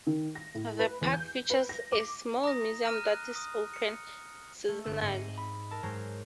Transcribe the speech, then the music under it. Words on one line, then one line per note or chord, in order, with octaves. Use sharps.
The park features a small museum that is open seasonally.
D#3
A#6
A2
B4
E2
G6
B4
A#6
D6
A#5 D#6 A#6
A#5 F6 D#7
F#6
D#6
C#7
A3
G1 E6
G#2 C4 D#5 C#7
B5
A#4 A5 E6
G#2 F#3 G#3 C5 A#5